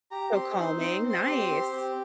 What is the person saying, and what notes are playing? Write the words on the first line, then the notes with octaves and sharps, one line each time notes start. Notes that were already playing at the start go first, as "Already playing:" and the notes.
So calming, nice.
G4 A#5
C4 C6
D#4 C6
C4 C6
C4
C6
G4
C4
G4